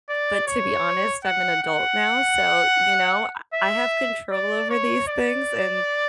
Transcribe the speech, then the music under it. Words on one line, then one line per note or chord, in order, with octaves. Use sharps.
but to be honest, I'm an adult now, so, you know, uh, I have control over these things and
D5
C#5
F#5
F#5
E5
D5
C#5
D5